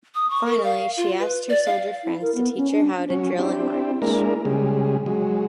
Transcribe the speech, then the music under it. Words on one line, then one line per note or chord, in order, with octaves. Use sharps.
Finally she asked her soldier friends to teach her how to drill and march.
D#6
C#6
A#4
F5
F4
B4
D5
F5
E4
A#4
B3
C#4
D4
F#3 C#4
C4 D4 E4 G4
G#3 A#3 D4 E4 A#4
C#3 G3 G#3
F#3 G#3